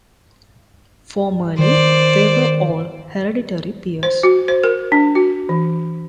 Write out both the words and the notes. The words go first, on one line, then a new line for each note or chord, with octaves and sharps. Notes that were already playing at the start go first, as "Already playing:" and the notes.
Formerly, they were all hereditary peers.
D#3 C5 D5
C5
F#4
C5
A#4
D4
F#4
E3